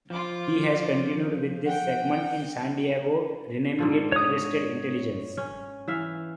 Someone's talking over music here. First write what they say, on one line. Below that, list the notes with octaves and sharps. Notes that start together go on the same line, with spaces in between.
He has continued with this segment in San Diego, renaming it "Arrested Intelligence".
F3 F4 D6
F#5 G5
G#2 D3 F3
C#5 D#6
C#4
E3 E5 F5